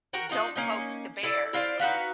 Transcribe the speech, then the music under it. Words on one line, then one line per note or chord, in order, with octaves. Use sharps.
don't poke the bear
F#4 A#4 G5
D4 D#4 F4 A#4
A#3 C#4 D#4
E4 A4 D5
E4 F4 C5 D5
D#4 F#4 B4 F5